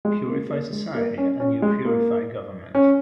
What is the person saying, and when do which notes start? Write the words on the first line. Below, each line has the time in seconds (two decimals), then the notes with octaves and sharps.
Purify society and you purify government.
0.05 G#3
0.27 A#3
0.49 A#3
0.72 G#3
0.95 A#3
1.18 C#4
1.40 C#4
1.62 G#3
1.85 A#3
2.75 C#4